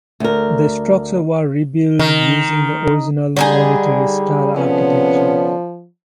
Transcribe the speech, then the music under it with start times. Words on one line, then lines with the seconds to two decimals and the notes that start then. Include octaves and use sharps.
The structure was rebuilt using the original Monterey style architecture.
0.20 D2 A#4
1.99 D#3
3.37 D3 G3 D#4 G#4
4.56 C3 F3 B3 C#4